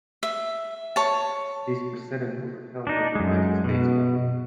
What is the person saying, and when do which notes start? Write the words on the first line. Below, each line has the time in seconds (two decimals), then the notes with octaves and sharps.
This precedent was upheld by the United States government.
0.23 E5
0.96 C#5 A5
2.87 D4 D#4
3.15 F#2 G#3
3.64 B2